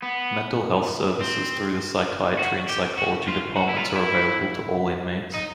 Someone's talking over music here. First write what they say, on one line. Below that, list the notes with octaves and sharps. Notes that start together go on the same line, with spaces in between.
Mental Health Services through the Psychiatry and Psychology Departments are available to all inmates.
B3
C4
F#4
G4
F#4
F4
F#4
E4
F4
E4
D#4